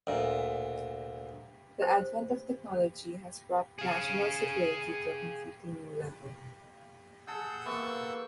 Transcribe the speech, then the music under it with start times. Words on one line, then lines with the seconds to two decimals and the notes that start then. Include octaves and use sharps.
The advent of technology has brought national security to a completely new level.
0.07 D2 A#2
1.82 C5
3.79 G#4 F5
7.27 G#4 A4 F#5 E6 G6
7.66 E3 A#3 B3 C#6